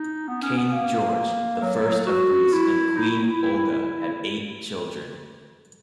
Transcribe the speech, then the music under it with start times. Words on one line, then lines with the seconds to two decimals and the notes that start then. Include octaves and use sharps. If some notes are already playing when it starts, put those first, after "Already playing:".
King George the First of Greece and Queen Olga had eight children.
Already playing: D#4
0.28 B3
0.42 C#4
0.57 B3
0.72 A#3
1.62 F#3
1.85 F#3
2.07 F#4
2.53 E4
2.97 D#4
3.09 E4
3.31 E4
3.42 E4
3.57 E4
3.72 E4
3.99 E4